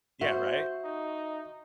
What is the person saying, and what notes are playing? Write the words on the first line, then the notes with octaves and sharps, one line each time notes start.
Yeah, right?
F#4 C5 E5
D#4